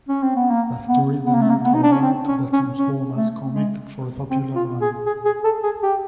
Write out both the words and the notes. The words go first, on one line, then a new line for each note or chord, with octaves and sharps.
The story then moved over to "The Transformers" comic for a popular run.
C#4
C4
B3
A#3
B3
B3
A#3
A3
A#3
B3
D#4
D4
C#4
C4
C#4
C#4
C#4
A3
G#3
C4
F4
G#4
G#4
G#4
A4
G#4
G4